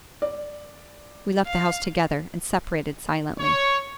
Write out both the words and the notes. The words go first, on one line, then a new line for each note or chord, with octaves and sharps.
We left the house together, and separated silently.
D5
F5
C#5